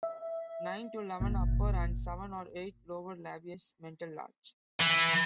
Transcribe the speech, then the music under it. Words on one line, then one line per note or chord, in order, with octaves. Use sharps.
Nine to eleven upper and seven or eight lower labials; mental large.
E5
G1 A#2
E3